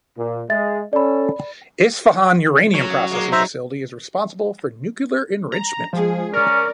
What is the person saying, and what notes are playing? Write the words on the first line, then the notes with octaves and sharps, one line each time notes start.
Isfahan uranium processing facility is responsible for nuclear enrichment.
A#2
G#3 E5 A6
C#4 A4 D5 B5
F#3 C#4
G#3 A#3
D#4 C5 E5 A#5
A#5
F3 G#3 G#4
C#4 A#4 D5